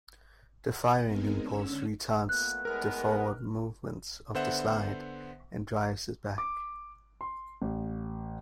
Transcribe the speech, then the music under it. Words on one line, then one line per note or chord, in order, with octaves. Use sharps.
The firing impulse retards the forward movement of the slide and drives it back.
F#5
G#3 B3 C4 D#4 G#4 A#4
D3 C#4 E6
A#2 A3 B3 F#6
A2 G#3 B3 A#4 F6
D3 B3 C5 E5 F#5 E7
D6
C6
A1